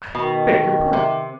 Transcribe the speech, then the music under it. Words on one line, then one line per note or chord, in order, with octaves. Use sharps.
I beg your pardon.
B2 D#3
C3